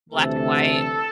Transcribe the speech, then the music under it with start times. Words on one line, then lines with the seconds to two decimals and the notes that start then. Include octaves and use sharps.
black and white,
0.12 D2 C3 E3 A3 A4